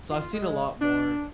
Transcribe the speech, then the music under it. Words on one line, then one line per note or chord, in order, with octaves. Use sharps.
so I've seen a lot more,
F4
G#3
D4